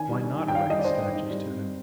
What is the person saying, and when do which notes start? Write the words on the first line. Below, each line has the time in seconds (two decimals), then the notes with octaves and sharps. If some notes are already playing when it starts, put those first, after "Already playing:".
Why not erect statues to him?
Already playing: D#3 G#5
0.09 G3
0.24 D4
0.39 D#3
0.48 G5
0.54 D#3 F5
0.69 G3 D#5
0.79 D5
0.85 D4 C5
1.01 D#3
1.15 G#2
1.30 G3
1.45 C4